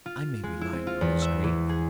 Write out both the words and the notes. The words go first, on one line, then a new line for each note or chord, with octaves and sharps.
I may be lying on his grave.
F4
G#3
E4
C4
F4
E2
E5
E3
G#4